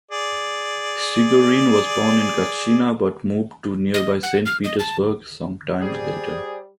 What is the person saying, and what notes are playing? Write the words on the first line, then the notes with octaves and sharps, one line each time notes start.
Chigorin was born in Gatchina but moved to nearby Saint Petersburg some time later.
G#4 D5
D#5
F#5
F6
D#5
A5
G3 G#4 C5 D5